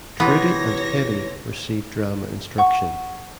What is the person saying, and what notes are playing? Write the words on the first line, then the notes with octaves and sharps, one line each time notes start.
Trudi and Hedi received drama instruction.
C3 E3 B3 C#5 A#6
F#5 C#6